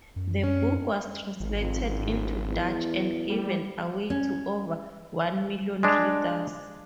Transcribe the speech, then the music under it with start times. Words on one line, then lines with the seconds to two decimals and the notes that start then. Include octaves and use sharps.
The book was translated into Dutch and given away to over one million readers.
0.16 F#2
0.44 C#4
1.40 G#1
1.61 F2
1.86 D1
2.50 E2
3.30 G3
4.10 C#4
5.83 G#3 D4